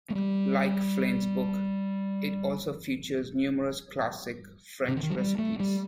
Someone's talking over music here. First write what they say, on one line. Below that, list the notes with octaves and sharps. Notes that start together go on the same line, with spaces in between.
Like Flinn's book, it also features numerous classic French recipes.
A3
G3
C3
D3
D#3
F#3
G3
A3
G3